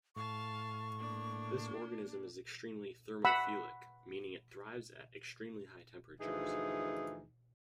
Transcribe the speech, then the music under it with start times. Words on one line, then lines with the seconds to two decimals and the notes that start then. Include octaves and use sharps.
This organism is extremely "thermophilic", meaning it thrives at extremely high temperatures.
0.16 A2 F5 A5 C#6
0.98 A#3 D4
3.25 F#5 B5 E6
6.21 D2 E3 F3 D#4 G#4